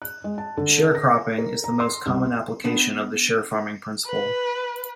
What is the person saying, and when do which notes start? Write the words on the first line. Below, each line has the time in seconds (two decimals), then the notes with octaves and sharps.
Sharecropping is the most common application of the sharefarming principle.
0.02 F#6
0.24 G#3
0.38 A5
0.57 D3
0.95 A#6
1.38 A#4
1.64 A#5
1.80 C6
2.06 C2
2.64 B3 D4 B5
4.07 B4